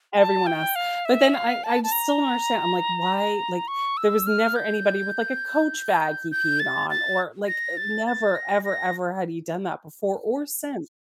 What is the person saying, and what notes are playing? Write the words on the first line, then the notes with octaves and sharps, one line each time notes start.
everyone asks, but then I I still don't understand, I'm like, "Why" like, there was never anybody with, like, a Coach bag he peed on or, like, never ever ever had he done that before or since.
A5
G5
F5
E5
F5
A5
A5
A#5
C#6
E6
F6
G6
G6
A6
A6
A#6
A6
A6
A#6
A#6